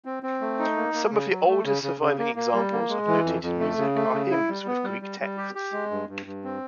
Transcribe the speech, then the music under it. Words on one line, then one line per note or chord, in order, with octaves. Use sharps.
Some of the oldest surviving examples of notated music are hymns with Greek texts.
C4
C4
A3
D#4
A#3
A#3
C#3
F#3
A3
C#3
C#3
C#3
A#3
A#3
G3
A#3
G#3
E3
F2
F2
A3
C#3
A3
C#3
E4
G3
B3
G3
G3
G3
G4
G4
G#3
G2
G2
G2
C4